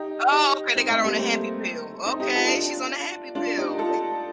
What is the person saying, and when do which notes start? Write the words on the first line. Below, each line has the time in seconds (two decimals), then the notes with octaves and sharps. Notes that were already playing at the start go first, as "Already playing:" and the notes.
Oh, okay, they got her on a happy pill, okay, she's on a happy pill.
Already playing: D#4 G4
0.32 D#4 G4
0.75 C4 D#4
0.90 A3 C4
1.04 G3 A#3
1.18 A3 C4
2.05 C4 D#4
2.20 D#4 G4
2.35 F4 A4
2.48 D4 F4
3.35 D4 F4
3.57 D#4 G4
3.78 F4 A4